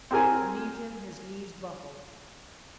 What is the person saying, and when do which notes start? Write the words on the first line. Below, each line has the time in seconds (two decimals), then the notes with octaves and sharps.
Beneath him his knees buckled.
0.11 C4 G4 G#4 A#4 G#5